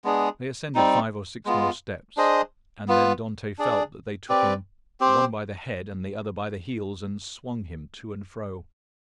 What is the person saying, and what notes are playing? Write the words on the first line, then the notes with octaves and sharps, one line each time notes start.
They ascended five or six more steps, and then Dantes felt that they took him, one by the head and the other by the heels, and swung him to and fro.
G#3 B3 D4 G#4
G3 C4 D#4
G#3 B3 F4
D4 G#4 C5 D#5
B3 F4 B4
D4 G#4 D5
C4 G4 B4 D5
C4 G4 C5